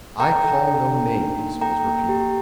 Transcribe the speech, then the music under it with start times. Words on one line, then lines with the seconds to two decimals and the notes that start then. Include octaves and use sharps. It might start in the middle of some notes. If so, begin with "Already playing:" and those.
"I call no names," was repeated.
0.20 A4 G5 A#5
0.44 A4
0.67 D4
0.91 D4
1.14 D#4
1.38 A#3
1.61 A4 G5 A#5
1.85 A#3
2.09 G4